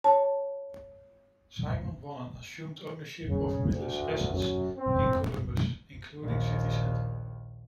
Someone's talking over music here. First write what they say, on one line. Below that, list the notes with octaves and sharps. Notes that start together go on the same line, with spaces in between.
Simon won and assumed ownership of Mills' assets in Columbus, including City Center.
C#5 A5
C#3
D2
F#2
C4
A#1 D#2